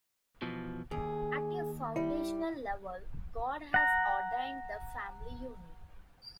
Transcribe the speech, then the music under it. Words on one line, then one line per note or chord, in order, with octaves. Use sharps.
At a foundational level, God has ordained the family unit.
B2 E3 F3
D#2 G#4
G3 E4 D5
F#5 A#5